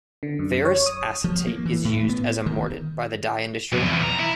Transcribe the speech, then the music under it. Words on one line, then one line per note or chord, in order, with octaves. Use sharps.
Ferrous acetate is used as a mordant by the dye industry.
D3
F#2
C#5
D#6
F3
A#3
E3
A2
B3
D#3
B1 F2
E2
A#5
E4